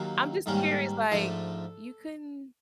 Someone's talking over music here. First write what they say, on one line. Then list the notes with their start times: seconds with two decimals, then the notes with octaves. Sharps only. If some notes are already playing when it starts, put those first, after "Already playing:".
I'm just curious, like, "You couldn't,
Already playing: D#2 D#3 F#3 A#3
0.46 G#2 D#3 G3 A#3 C#4
1.11 G#2 F3 A3 D4 A4